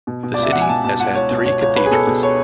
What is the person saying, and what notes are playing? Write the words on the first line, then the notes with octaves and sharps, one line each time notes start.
The city has had three cathedrals.
B2
B2
D5
C#2
E5
C#2 F#5
G#5
B2 A5
B2 A5
C#2 F#5
C#2 C#5
B2
B2 C#5
C#2 C#5
C#2 B4
G#4
B2 A4
B2
C#5